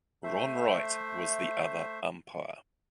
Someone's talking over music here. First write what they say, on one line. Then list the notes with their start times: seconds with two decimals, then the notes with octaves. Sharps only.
Ron Wright was the other umpire.
0.24 A3 C5 E5